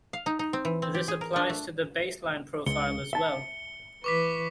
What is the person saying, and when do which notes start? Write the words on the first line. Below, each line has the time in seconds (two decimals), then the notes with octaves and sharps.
This applies to the Baseline Profile as well.
0.13 F5
0.26 D#4
0.39 D#4
0.53 C4
0.65 E3
0.82 C4
0.94 G4
1.08 G#4
1.21 A#4
1.36 D4
1.50 A3
2.66 C#2 C#7 G7
3.13 E5 A5
4.04 E3 B4 C#6 D6 B6